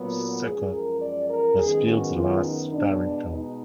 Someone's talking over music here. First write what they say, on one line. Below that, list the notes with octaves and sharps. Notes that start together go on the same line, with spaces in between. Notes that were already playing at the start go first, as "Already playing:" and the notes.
"Sucker" was Fields' last starring film.
Already playing: A#2 F#3 B3
F#4
F#2 F3 G#3 G#4
A#4
D5
A#4
F#2 D#3 G#3 B3 G#4
F#4
F4
D#4
B2 G#3 B3 D4
D#4